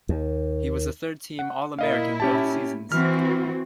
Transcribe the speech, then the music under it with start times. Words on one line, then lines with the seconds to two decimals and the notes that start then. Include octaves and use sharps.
He was a third team All American both seasons.
0.09 D#2
1.39 F#5
1.79 A#2 E4 A#4 D#5 F5
2.20 C#4 G4 A5
2.92 E3 C4 F#4 F6